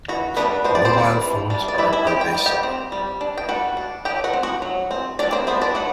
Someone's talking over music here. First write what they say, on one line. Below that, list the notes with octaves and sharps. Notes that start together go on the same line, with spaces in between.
Mobile phones are pervasive.
E3 F#4
G3 B3 D4 B4
E3 C5
D5
C4 C5
G3 D4
E3
G3 D4
D5
G3 E4 E5
E4 E5
C4 G4 G5
G5
G3
G4 G5
C4
G3
D4
G5
G3 F#4 F#5
D4
F#3 G4 G5
F#4 F#5
C4
F#4 F#5
F#3
C4
F#3 D4 D5
C4 C5
B3 C4 D4 C5
D4 D5
F#3 F#4 F#5